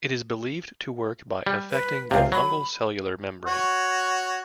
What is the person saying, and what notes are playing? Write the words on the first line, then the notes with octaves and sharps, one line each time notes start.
It is believed to work by affecting the fungal cellular membrane.
G3
B4
C#2 C3 F5
F#3 B5
F#4 C#5